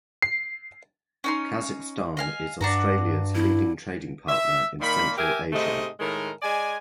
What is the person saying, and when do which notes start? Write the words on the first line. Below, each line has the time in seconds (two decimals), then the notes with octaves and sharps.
Kazakhstan is Australia’s leading trading partner in Central Asia.
0.22 C7
1.24 C#4 D#4 C6
2.17 D#5 F5 G#5
2.61 G2 D4 F#4 A#5
3.35 E4
4.28 E5
4.81 A#2 D#3 A#3 B5
5.17 G4 A#4 E5 G#5
5.52 G#2 C3 A3 D#5
5.99 A2 D#3 G#3 A#4
6.42 G#3 D5 G#5